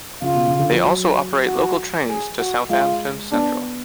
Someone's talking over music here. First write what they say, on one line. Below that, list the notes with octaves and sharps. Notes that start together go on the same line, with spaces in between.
They also operate local trains to Southampton Central.
C#3 F4
B2
C#3
D3
F3
F#3
F#4
G#4
F#4
G#3 F4
B3 D4